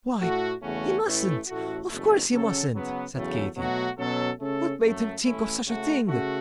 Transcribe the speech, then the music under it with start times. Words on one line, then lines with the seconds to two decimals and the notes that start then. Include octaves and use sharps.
"Why, he mustn't--of course he mustn't!" said Katy; "what made him think of such a thing?"
0.21 A2 A3 F#4
0.63 E2 C#3 A3 C#4 F#4
1.04 A1 A2 E3 A3 E4
1.47 A1 A2 A3 F#4
1.88 F#1 E2 B2 A3
2.31 C#3 F#3 C#4 A4
2.72 C#3 F#3 B3
3.14 E2 C#3 F#3 A3
3.56 B2 F#3 A3 F#4
3.98 B2 F#3 C#4 A4
4.40 C#3 A3 C#4 A4
4.81 F#2 F#3 A3
5.23 A1 A2 A3 C#4 E4
5.65 C#3 A3 F#4
6.07 C#3 A3 F#4